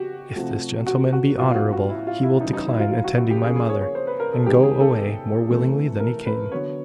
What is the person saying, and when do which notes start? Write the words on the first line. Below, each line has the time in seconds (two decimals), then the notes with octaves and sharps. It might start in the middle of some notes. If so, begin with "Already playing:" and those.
If this gentleman be honourable, he will decline attending my mother, and go away more willingly than he came.
Already playing: C#3 F#4 G4
0.36 C3 F3 A3
0.86 F#4
1.13 F#4
1.37 A2 F#3 B3 F4
1.50 F4
1.55 F#4
1.73 F#4
1.89 E4
2.07 F4
2.23 E4
2.40 C#3 E3 G3 D#4
2.53 D#4
2.67 E4
2.80 F4
2.91 F4
3.04 F#4
3.18 F#4
3.31 G4
3.43 C#3 F3 A#3 G#4
3.56 G#4
3.69 C#5
3.82 C#5
3.95 C5
4.07 B4
4.20 A#4
4.33 A4
4.46 C3 D#3 G#3 B3 G4
4.63 G#4
4.80 A4
5.49 C3 E3 A3
6.00 A#4
6.26 B4
6.52 D3 F#3 B3 C#5